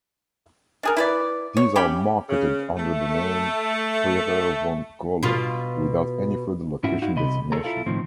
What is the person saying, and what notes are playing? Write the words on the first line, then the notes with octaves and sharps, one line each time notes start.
These are marketed under the name "Freiherr von Göler" without any further location designation.
D4 G#4 A#4
E4 B4 D5
C#5
C#4 G4 B5
C#3
A3
B2 F4
G#2 C#4 E4 F#4 E5
D#4 E4 F#4 F5
C2 C3 D#5 B5
G#4 A4 C#5 A#5
E4 F4 A4 F5
C#2 A2 D#3 F3 C4